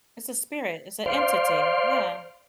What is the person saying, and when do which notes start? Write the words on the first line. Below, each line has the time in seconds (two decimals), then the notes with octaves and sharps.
It's a spirit. It's a entity. Yeah.
1.06 C5 D5 F5 C6